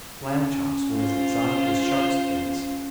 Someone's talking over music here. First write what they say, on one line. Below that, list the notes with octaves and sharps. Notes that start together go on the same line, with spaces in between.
Lamb chops were as exotic as sharks' fins.
C#4
F4 C5